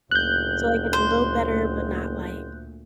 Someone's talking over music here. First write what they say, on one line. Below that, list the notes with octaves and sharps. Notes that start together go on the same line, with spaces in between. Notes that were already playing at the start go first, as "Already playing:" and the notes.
So, like, it's a little better, but not, like,
F#1 D2 A#2 F#6 G6
C5